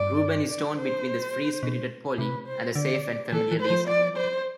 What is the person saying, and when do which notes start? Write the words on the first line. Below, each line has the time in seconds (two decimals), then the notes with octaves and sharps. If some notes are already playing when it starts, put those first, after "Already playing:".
Reuben is torn between the free-spirited Polly and the safe and familiar Lisa.
Already playing: G2 D5
0.49 D5
0.77 C5
1.63 B2
2.18 C3 B4
2.47 C5
2.75 D3 D5
3.32 E3 A4
3.51 E3
3.61 C5
3.70 F3
3.88 D5
4.17 C5